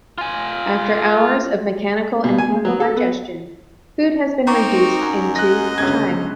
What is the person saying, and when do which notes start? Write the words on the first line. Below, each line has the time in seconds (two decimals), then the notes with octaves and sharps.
After hours of mechanical and chemical digestion, food has been reduced into chyme.
0.18 F4 G#5
2.24 B2
2.38 G#5
2.50 G#3
2.65 F#3
2.80 A4
2.96 B3
4.47 C4 D#4 A#4 A#5 C#6 D6
5.02 F#2
5.36 D#5 F#6 A#6
5.78 G1 C#2 G#6